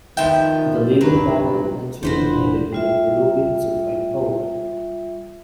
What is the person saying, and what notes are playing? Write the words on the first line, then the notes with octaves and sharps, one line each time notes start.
The legal battle eventually made it to the Peruvian Supreme Court.
D#3 F3 B3 E5 G5
G2 A#2 F#3 B4
F1 A#1 E3 D4 F#4 B4 C5
G3 F4 E5